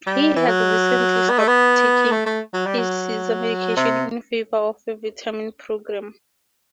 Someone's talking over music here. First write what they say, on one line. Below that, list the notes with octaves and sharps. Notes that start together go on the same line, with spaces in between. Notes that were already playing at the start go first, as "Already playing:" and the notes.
He had recently stopped taking his seizure medication in favor of a vitamin program.
G3
E3
F#3
B3
A3
B3
A3
A3
F#3
G3
F#3
C3